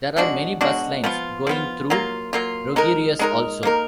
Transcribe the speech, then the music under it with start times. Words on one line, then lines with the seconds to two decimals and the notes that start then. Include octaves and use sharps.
There are many bus lines going through Rogerius also.
0.16 B2 G#3 D4 F#4
0.61 B2 G#3 D4 F#4
1.04 F3 B3 F4
1.47 F3 B3 F4
1.90 F#3 A#3 F4
2.33 F#3 A#3 F4
2.76 G#3 D#4 A#4
3.19 G#3 D#4 A#4
3.63 A#3 D#4 A#4